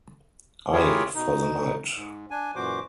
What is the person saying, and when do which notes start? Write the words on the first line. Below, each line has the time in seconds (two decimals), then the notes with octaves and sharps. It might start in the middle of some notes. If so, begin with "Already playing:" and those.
Ay, for the night.
0.73 E4 F4 G4 G#4 A#4 C#5
1.15 B2 D#4
1.95 G#2
2.31 D4 G#5
2.55 F#2 A#2 E3 F#4 C5 D6